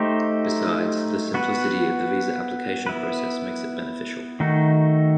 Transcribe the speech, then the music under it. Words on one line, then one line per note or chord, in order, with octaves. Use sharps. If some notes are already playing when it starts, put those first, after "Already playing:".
Besides, the simplicity of the visa application process makes it beneficial.
Already playing: A3 D#4 G4 C5
B3 F#4 B4
B3 E4 B4
D#3 A3 D#4 F#4